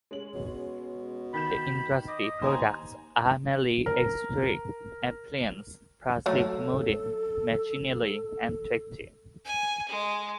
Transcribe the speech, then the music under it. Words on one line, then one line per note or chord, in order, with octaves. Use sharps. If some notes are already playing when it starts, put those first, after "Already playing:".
The industry products are mainly electric appliances, plastic moulding, machinery and textiles.
G#3 C#4 F#7
B2
D#3 B5 G6 E7
D#5 D6
D#2 C5 G#5 A#5
A#4
F#3 A3 A4
G#5
G#3